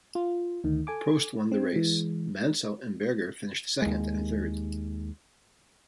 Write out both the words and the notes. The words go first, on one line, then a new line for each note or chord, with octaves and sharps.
Prost won the race; Mansell and Berger finished second and third.
F4
D2 D#3
A4 G#5 D6
C4
E3 G#3
D#2 G#3